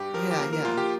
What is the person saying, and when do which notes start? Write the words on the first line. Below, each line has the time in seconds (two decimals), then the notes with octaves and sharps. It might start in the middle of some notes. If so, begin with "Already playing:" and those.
Yeah, yeah.
Already playing: G2 G4
0.14 F3 A#4
0.31 G4
0.39 A#3 A#4
0.53 A#4
0.65 A#3 F4
0.78 G4